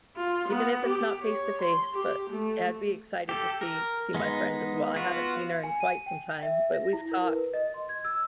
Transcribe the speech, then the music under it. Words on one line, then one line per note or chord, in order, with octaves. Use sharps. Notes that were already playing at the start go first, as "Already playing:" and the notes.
even if it's not face-to-face, but yeah I'd be excited to see see my friend as well, I haven't seen her in quite some time, but we've talk
F4
B3
G4
C#5
C6
G4
A3
G4 A4
A#4
G#3 B3 D#4
B3 F4 F#4
G#5
D#7
G5
E5
A#6
E4
A#4
B4
D#5
C6
G#6
E6